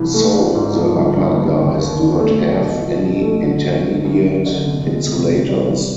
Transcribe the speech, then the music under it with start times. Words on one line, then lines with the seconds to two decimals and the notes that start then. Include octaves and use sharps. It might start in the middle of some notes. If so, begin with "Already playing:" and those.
So the upper guys do not have any intermediate insulators.
Already playing: C2 E3
0.14 A3
0.34 D4
0.55 G#2
0.76 F3
0.96 G1
1.17 G2
1.37 G1
1.58 D#2
1.78 D#2
1.99 D3
2.20 A3
2.41 F#3
2.61 B2
2.81 F3
3.02 F2
3.22 A3
3.43 D3
3.64 F#3
3.85 D3
4.05 F#2
4.26 F#3
4.46 D3
4.66 C3
4.87 G#3
5.08 C3
5.28 C3
5.49 G3
5.70 E3